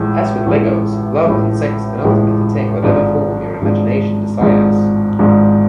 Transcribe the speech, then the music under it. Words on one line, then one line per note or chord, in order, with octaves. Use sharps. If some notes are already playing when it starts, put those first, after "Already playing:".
As with Legos, love and sex can ultimately take whatever form your imagination desires.
Already playing: A1 A2 F3 G#3
A1 A2 F3 G#3
A1 A2 F3 G#3
A1 A2 F3 G#3
G#1 G#2 F3 G#3 D4
G#1 G#2 F3 G#3 D4
G#1 G#2 F3 G#3 D4
G#1 G#2 F3 G#3 D4